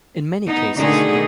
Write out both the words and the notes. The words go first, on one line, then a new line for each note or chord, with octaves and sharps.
In many cases, the songwriters were also the performers.
B3 D#4
B2 D3 D#3 A3 D#4 G#4